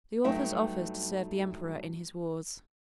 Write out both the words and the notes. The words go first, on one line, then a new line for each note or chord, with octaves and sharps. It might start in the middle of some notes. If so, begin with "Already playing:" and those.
The author's offers to serve the emperor in his wars.
G2 F#3 A3 D#4 E5 G5